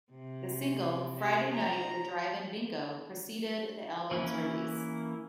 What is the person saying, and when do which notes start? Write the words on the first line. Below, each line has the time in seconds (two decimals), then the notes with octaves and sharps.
The single "Friday Night at the Drive-in Bingo" preceded the album's release.
0.11 C3
1.15 F#4 G4
1.53 F3 A#5
4.11 E3 A#3 C#4 E4